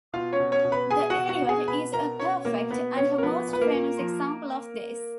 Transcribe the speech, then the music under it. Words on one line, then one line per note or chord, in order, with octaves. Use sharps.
"The Idiot" is a perfect, and her most famous, example of this.
B2 F4 F5
C#4 C#5
B2
C#4 C#5
B2
B4 B5
B2 G#4 G#5
F#4 F#5
B2
F#4 F#5
B2
G#4 G#5
B2 B4 B5
B2 A#4 A#5
B2 C#4 C#5
B2 A#3 A#4
B2 B3 B4
B2 C#4 C#5
A#4
F3 B3 B4
A#2 B4
A#3 A#4
A#2
F3